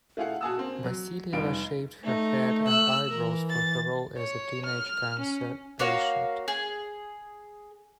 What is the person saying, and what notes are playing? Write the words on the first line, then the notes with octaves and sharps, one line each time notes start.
Vassilieva shaved her head and eyebrows for her role as a teenage cancer patient.
A3 E4 F4 G#4 F5 F#5
F#4 G#4 G#5 A5 D#6 E6
A#3 C4
F#3
F1 G3 D#4 F4 D7
A3 D#4
E6 F#6
E3 A#4
A6
C#5
F6
C#4
A#3 F#4 C#5 F5
G#4